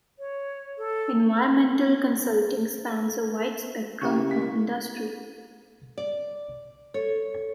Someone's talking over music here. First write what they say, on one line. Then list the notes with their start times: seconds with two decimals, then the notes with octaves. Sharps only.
Environmental consulting spans a wide spectrum of industry.
0.19 C#5
0.78 A4
4.01 C#3 E4 G4 C#6
4.31 A#3 B6
5.98 D5
6.94 A4 C#5